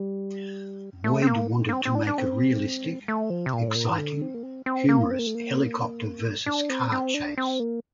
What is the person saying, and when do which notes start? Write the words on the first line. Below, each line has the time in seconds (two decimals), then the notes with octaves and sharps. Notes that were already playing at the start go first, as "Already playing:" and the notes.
Boyd wanted to make a realistic, exciting, humorous, helicopter-"versus"-car chase.
Already playing: G3
1.04 A3
1.22 C4
1.27 A#3
1.69 A#3
1.73 C4
1.85 C4
1.95 D4
2.07 D4
2.18 C4
3.08 A3
3.30 F3
3.46 C3
3.53 A#2
3.68 A2
3.75 A#2
3.90 E3
3.98 D3
4.21 C4
4.34 A#3
4.43 C4
4.66 C4
4.89 A#3
5.11 C4
5.19 A#3
5.27 A3
5.35 A#3
6.46 D4
6.70 C4
6.92 C4
7.14 D4
7.38 C4
7.60 A#3